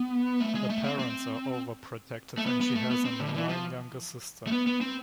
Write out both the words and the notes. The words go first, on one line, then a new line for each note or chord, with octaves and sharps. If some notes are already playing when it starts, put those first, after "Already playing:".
Her parents are overprotective, and she has an annoying younger sister.
Already playing: B3
A3
G#3
A3
C4
C4
A3
B3
B3
A3
B3
C4
D3
F3
E3
F3
A3
B3
B3
C4